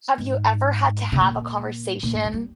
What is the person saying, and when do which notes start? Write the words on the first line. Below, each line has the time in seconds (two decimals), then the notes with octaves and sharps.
have you ever had to have a conversation
0.18 G#2
1.12 C3
1.21 A#2
2.03 A#2
2.14 G#2
2.24 F3
2.34 G3